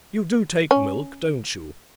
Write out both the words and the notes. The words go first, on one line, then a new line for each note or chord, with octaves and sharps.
You do take milk, don't you?
C#4